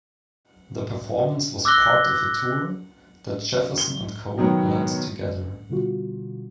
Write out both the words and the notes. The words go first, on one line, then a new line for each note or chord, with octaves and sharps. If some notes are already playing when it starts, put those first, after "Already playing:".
The performance was part of a tour that Jefferson and Cole led together.
D6 E6 F#6 A#6 G7
G7
B2 D#3 F#3 B3
B2 D3 G3 F4 F#4